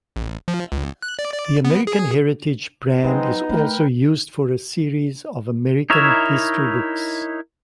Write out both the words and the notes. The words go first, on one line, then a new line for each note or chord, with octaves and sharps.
The "American Heritage" brand is also used for a series of American history books.
A1
F3
C#2
F#6
D5
D5
B3
G#4
F#3 G#3 B3 C4 D#4 D#5
A3 A#4 B4 G5
D#4 E4 A#4 C#5 E5